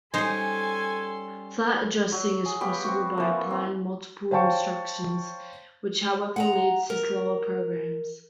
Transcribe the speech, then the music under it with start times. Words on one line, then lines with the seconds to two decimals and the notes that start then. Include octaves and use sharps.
Flat addressing is possible by applying multiple instructions, which however leads to slower programs.
0.14 G3 C#4 D#4 A4 C5 G#5 C6
2.12 F#3
2.45 G#4
2.61 B3 G4 C#5 F5
2.84 C4 F#4
3.17 E3 A#3
3.50 C4
4.31 C5 C#5 F5 G5 A5 C#6
6.36 F#5 G5 A#5
6.90 A#4